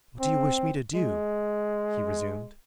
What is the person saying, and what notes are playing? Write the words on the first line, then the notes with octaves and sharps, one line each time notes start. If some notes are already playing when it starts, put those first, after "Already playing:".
"What do you wish me to do?" he resumed.
C4
G#3